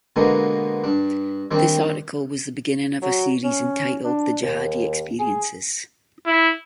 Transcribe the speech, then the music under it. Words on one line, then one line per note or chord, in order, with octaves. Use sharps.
This article was the beginning of a series entitled "The Jihadi experiences".
B2 D3 G#3 A#3 B3 D#4
G2 D4
D#3 G3 C4 D4
F#3
C#4
D4
D#2
G#4
E4